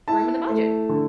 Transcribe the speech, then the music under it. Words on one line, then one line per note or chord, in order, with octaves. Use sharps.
room in the budget.
E4 A5
A3
D3